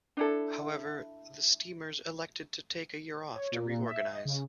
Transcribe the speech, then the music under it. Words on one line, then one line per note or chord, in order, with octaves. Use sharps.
However, the Steamers elected to take a year off to reorganize.
D4 E4 A4
C#5
A#2
A#2
E5
D#5
C#3